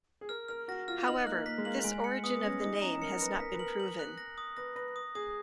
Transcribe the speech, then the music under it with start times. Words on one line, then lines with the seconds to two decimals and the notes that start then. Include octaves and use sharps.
However, this origin of the name has not been proven.
0.21 G#4
0.29 A#4 F6
0.48 A#4 F6
0.68 F#4 A#6
0.88 F4 F6
0.98 F4
1.08 D#4 F#7
1.26 A#3 F#6
1.46 A#3 B6
1.58 G#3
1.65 A#3 F#7
1.84 G#3 G#5
2.04 C#7
2.23 B3 D#6
2.43 C#4 A#6
2.62 D#4 D#6
2.82 C#4 A#5
3.02 A#4 C#7
3.21 B4 A#6
3.35 B4
3.40 A#4 B6
3.54 B4
3.59 A#4 F#7
3.80 F#7
3.99 F#6
4.18 A#6
4.38 D#6
4.57 B4 A#6
4.76 B4 A#6
4.96 D#6
5.15 G#4 D#6